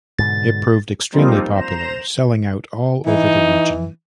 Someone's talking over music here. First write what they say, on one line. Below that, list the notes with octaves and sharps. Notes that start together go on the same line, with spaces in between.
It proved extremely popular, selling out all over the region.
G#2 B2 D3 A6
F3 G3 A#3 C4 D#4 F4
C5 A#5 E7
E3 D#4